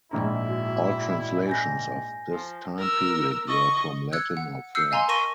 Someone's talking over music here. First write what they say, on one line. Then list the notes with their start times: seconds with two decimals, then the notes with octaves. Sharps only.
All translations of this time period were from Latin or French.
0.11 A#1 G#2 E4 A#5
0.49 F#4
1.47 G#5 G6 A#6
2.31 F3
2.78 A#4 E6
3.48 D#5 C#6
4.12 E6 F#6 G#6 C#7
4.37 F#5
4.75 E6 F6 G6 C7 C#7
4.91 D#5 F5 G#5 A#5 C6
5.08 A#4 A5 C#6 A#6 D#7 G7